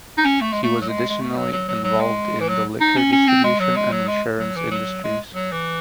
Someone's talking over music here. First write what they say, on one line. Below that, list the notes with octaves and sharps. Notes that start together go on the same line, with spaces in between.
He was additionally involved in the liquor distribution and insurance industries.
D#4
C#4
A3
G#3
A3
F#3
G#3
G#3
A3
F#3
F#3
F#3
F#3
G#3
E3
F#3
D#4
C#4
C#4
C4
G#3
F#3
G#3
F#3
G#3
F#3
E3
F#3
G#3
F#3
E3